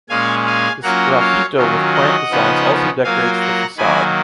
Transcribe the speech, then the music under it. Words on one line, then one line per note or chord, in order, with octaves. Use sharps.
The sgraffito with plant designs also decorates the façade.
A#2 G#3 C#4 F5 G#5
F5 G#5
F#3 A#3 C#4 F4 F#5 A#5
C#5 F5
D#3 F#3 C#4 F4
D#5 F#5
C#3 F3 B3 D#4
F#3 A#3 F4 F5 G#5
F#5 A#5
D#3 F#3 A#3 G#5 B5